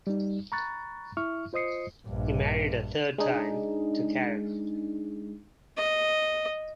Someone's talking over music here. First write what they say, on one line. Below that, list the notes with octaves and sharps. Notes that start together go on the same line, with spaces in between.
He married a third time, to Karen.
G3 D#4
A#5 B5 C#6 F#6 A6
E4 E5 C#6 F6
F4 C5 D#5 D#6 C7 C#7
A#1 G2
G#3 D4 D#4 G#4
D#5